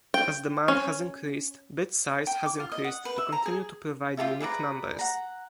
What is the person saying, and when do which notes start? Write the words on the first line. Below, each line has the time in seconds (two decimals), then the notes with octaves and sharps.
As demand has increased, bit size has increased to continue to provide unique numbers.
0.14 G5
0.68 C#4
2.27 G5
2.46 D6
2.60 F4
2.72 D#5
2.84 F#5
3.05 B4
3.18 E5
3.32 A#5
3.46 G#4
4.17 F4 G4 A4 E5
4.40 G#4 B4 D5 A#5
4.99 F#5 A#5